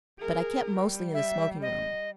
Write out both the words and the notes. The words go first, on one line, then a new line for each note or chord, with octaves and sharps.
But I kept mostly in the smoking-room.
G#4 A#4
G3
E5
D#5